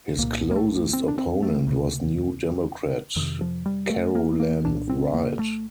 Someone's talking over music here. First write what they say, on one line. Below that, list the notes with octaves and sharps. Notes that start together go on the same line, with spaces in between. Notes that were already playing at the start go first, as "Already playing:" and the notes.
His closest opponent was New Democrat Carolann Wright.
C2 A#2 A#3
A#3
A3
C4
D4
C4
A3
D2 C3
F2 C3 D#3
F3
G3
A3
A#3
A#3
C2 A#2 D4
C4
A#3
A3